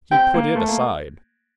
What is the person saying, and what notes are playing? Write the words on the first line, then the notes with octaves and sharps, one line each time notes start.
He put it aside.
C4 G5
A#3
A3
A#3